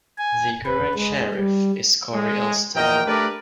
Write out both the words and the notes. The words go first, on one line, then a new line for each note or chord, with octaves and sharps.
The current Sheriff is Kory Elston.
G#5
B4
G#3
G3
G#3
A#1 E2 A#4 D#5 G5
A3 D4 G4 A#4 B4 D5